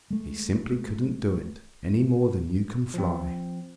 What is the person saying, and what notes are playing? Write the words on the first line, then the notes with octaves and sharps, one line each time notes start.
He simply couldn't do it, any more than you can fly.
G#3 A3
F3 C4